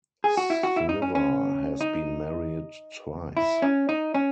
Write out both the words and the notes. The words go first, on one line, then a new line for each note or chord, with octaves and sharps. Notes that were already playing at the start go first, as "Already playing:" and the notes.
Sliwa has been married twice.
G#4
F#4
E4
F#4
E4
D#4
C#4
C#4
D#4
E4
C#4
D#4
C#4